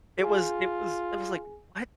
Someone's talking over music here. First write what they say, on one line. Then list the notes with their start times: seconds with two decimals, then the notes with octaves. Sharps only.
It was it was it was like, "What?
0.21 F4 G#4 G#5